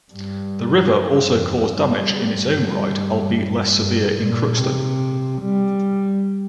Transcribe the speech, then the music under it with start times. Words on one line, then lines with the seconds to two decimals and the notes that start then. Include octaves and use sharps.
The river also caused damage in its own right, albeit less severe, in Crookston.
0.12 G2
0.94 G2
1.34 F2
1.75 G2
2.56 G2
3.79 G2
4.20 A#2
4.60 C3
5.42 G3